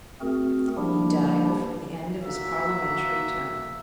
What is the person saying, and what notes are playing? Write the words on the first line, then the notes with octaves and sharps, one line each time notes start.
He died before the end of his parliamentary term.
A3 C4 F#4 G#4 A#4
F3 G3 A#3 D4 E4 G4
A#3 F#4 E5